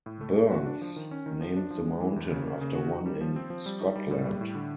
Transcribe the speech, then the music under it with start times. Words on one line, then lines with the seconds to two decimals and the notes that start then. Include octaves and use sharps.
Burns named the mountain after one in Scotland.
0.06 A2
0.21 A3
0.37 A2
0.51 F#4
0.66 D4
0.81 F3
0.96 D#3
1.11 C#4
1.26 D#3
1.41 F3
1.56 D4
1.71 F3
1.86 G#3
2.00 E3
2.16 E2
2.31 C#3
2.46 A#3
2.61 C#3
2.75 F#4
2.91 D#4
3.06 G3
3.21 F3
3.36 C4
3.50 F3
3.66 G3
3.80 D#4
3.96 G3
4.11 A2
4.25 G3
4.41 A2
4.55 D3